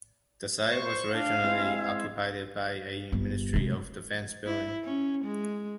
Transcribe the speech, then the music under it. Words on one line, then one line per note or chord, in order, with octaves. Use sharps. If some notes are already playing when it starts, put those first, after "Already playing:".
The site was originally occupied by a Ministry of Defense building.
C5 C#6
D4 F5
G#3 C4 E4
G1
C3 G#3
E4
C#4
G#3